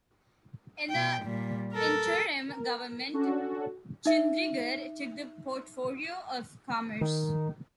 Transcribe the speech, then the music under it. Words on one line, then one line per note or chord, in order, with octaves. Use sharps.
In the Interim Government, Chundrigar took the portfolio of Commerce.
B2 G5
A#2 G3
A4 A#4
A#4
C#4 D4 F#4 A4
D#4 E5
D#3